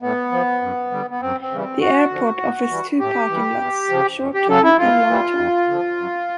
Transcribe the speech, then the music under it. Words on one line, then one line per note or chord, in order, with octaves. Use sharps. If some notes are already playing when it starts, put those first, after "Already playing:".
The airport offers two parking lots: short term and long term.
A2 B3
F3
F#2
D3 G3
B3
F#2 C4
C4
C#3 E3 G3
C4
D2 F#4
D3 F3
A2
E3 G3
A2 G4
E3 G3
E2
C#3 F3
F2
G4
C#3 F#3 A4
E4
G#2 F4
E3 G3
F2
D3 F3
F#2